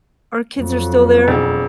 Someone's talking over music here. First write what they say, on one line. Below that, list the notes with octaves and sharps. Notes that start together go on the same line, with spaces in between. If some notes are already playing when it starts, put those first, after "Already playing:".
our kids are still there
F2 F#3
E1